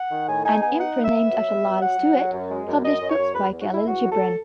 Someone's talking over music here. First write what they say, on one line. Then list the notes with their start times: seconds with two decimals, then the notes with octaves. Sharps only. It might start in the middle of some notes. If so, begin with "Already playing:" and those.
An imprint named after Lyle Stuart published books by Kahlil Gibran.
Already playing: F#5
0.11 D#3
0.28 A2 G#5
0.44 D#4 G#5
0.62 B3 G#5
0.79 D#4 F#5
0.96 B3
1.05 E5
1.13 B3
1.30 F#3
1.48 B3
1.64 F#3
1.81 F#3 F#5
1.99 F#3
2.15 F#3
2.33 F#2
2.50 G#3
2.67 F#2
2.84 F#2 D#5
3.01 F#2
3.10 C#5
3.18 F#2
3.35 E2 B4
3.52 E2
3.61 F#4
3.69 E2 E4
3.87 E2 F#4
4.04 F#3
4.12 A4